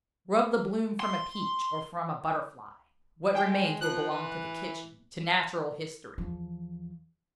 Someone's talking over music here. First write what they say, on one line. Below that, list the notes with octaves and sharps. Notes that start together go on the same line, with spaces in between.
Rub the bloom from a peach or from a butterfly--what remains will belong to the kitchen, to natural history!
C6
G#3 G5
F3 F#6
E3
E2 F3